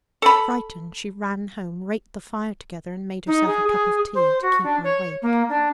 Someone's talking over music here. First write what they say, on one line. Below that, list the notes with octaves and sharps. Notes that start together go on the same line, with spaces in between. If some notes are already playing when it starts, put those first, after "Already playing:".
Frightened, she ran home, raked the fire together, and made herself a cup of tea to keep her awake.
A4 B5
D#4
G#4
G#4
C5
F#4
D4
C#5
A#3
D4